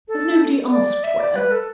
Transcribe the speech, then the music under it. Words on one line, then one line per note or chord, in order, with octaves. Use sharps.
"Has nobody asked where?"
A4
D5
E5
D5
B4
A4